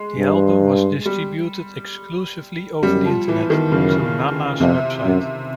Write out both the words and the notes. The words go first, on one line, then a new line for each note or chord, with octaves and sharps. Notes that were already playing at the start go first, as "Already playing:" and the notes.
The album was distributed exclusively over the Internet, through Nana's website.
Already playing: G#3
G2
G3
F#2 G3
F3
E3
D#3
F#2 C#3
F2 C3
F#2